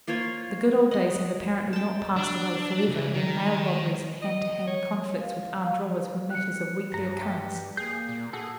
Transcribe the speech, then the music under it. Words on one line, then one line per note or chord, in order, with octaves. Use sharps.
'The good old days have apparently not passed away for ever, when mail robberies and hand-to-hand conflicts with armed robbers were matters of weekly occurrence.
A#3 F4 C5 C#5
D#5 F#5
G5 A5
D4
C#2
D#3
D#5
C#5
F5
F#6 C#7
G2 A#5
G4
A#3 G#4 G6 C7
A#2
F#4 G#4 A4